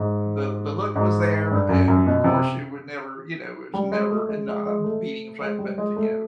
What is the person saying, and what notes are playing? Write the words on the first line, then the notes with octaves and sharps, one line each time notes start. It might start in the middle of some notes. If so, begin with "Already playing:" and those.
the the look was there, and, of course, she would never, you know, it was never uh, not a beating of flat, but t you know,
Already playing: G#2
G#2
G2
F#2
F#2
B2
C3
G3
G#3
A3
G#3
G#3
G#3
A3
G#3
G3
G#3
A3